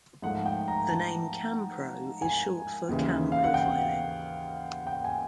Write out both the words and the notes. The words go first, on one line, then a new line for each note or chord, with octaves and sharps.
The name "CamPro" is short for "Cam Profiling".
G#2 F3 A3 F#5
G5
A#5
A5
G#5
D#2 C#3 E3
F5
F#5
G5
G5
G#5